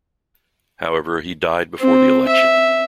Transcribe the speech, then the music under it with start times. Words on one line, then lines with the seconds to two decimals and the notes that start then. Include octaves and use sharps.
However, he died before the election.
1.80 C4
2.28 E5